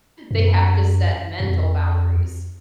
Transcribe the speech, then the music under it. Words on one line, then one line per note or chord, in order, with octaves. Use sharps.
they have to set mental boundaries.
F#2
F2